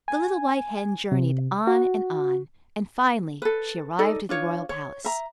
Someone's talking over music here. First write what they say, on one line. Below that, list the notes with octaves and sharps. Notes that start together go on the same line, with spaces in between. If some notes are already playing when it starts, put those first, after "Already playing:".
The little white hen journeyed on and on, and finally she arrived at the royal palace.
G#5
C3
F#4
A4 B4
D#4 A4 D5 D#5
D4 F4 C#5
C#5
E5 A#5